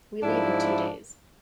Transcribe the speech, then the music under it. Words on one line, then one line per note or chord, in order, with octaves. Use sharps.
We leave in two days.
G#2 F3 D4 E4